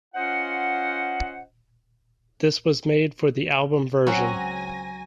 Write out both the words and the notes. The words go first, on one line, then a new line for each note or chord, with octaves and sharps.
This was made for the album version.
C#4 F4 C5 D#5 F#5
C#2 F#3 C4 C#4 F#4 G#5 A#6